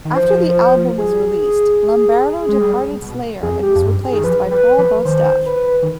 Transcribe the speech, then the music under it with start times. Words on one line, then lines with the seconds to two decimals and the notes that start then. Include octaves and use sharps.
After the album was released, Lombardo departed Slayer and was replaced by Paul Bostaph.
0.05 D#3
0.16 F3 C5
0.98 G#4
2.49 G#3
2.61 G3
3.02 B2
3.43 F2 G#4
3.63 G4
3.75 F2
3.83 G2
4.04 G#4
4.13 D#3
4.24 F3 B4
4.51 G3 B4
4.78 F3 B4
5.05 D#3 C5
5.46 B4
5.82 D#3